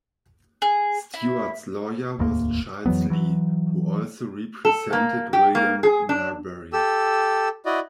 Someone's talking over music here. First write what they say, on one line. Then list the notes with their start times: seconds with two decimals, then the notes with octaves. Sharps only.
Stuart's lawyer was Charles Lee, who also represented William Marbury.
0.62 G#4
1.14 E4
2.19 E1 D2 G#2 A#3
2.86 F2 E3 F#3 B3
3.10 E3 F#3
4.65 A4
4.93 A#3
5.33 G4
5.55 A#3
5.83 G#4
6.09 D4
6.73 G4 A4 E6
7.66 E4 F#4 D5 D#5